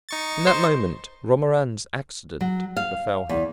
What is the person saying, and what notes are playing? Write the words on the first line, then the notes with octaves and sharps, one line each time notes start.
In that moment Romarin's accident befell him.
D#4 C#6 A6
C5
F#3
F5
E2